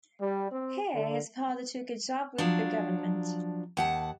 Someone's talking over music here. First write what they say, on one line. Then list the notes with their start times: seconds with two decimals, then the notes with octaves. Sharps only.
Here his father took a job with the government.
0.20 G3
0.51 C4
0.95 D3
2.38 F3 F#3 D4
3.77 D#2 F#5 A5